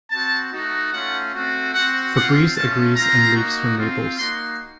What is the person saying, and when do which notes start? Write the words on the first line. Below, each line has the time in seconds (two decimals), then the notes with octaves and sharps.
Fabrice agrees and leaves for Naples.
0.11 C4 F#4 A5
0.52 A3 D#4 F#4
0.93 A3 C#4 F4 F#5
1.33 A3 C4 F#4
1.73 C4 F#4 F#5
2.15 C4 F4 F#5
2.56 A3 C#4 F4 A5
2.95 C4 F4 A#5
3.36 A#3 D#4 F#4
3.78 C4 F4
4.17 A#3 D#4 F#4 C6